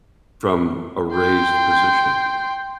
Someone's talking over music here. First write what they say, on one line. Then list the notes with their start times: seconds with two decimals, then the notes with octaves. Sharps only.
from a raised position?
1.15 G5 C6